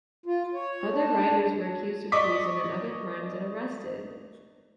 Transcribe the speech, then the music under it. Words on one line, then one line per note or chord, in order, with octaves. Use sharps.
Other writers were accused of treason, and other "crimes", and arrested.
F4
C#5
D4
D5 D#5 C#6 D6 B6